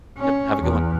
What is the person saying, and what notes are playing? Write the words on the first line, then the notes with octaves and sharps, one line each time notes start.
Yep, have a good one.
C#4
E2